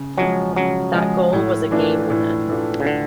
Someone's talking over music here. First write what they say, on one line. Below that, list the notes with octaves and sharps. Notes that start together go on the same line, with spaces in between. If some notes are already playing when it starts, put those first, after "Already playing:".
That goal was a game-winner.
Already playing: C#3
F3 F#3 G#3
C#3 F#3
F3 G#3
A2
E3 A3 D4 F4
A2
E3 A3 D4 F4
C#3
D3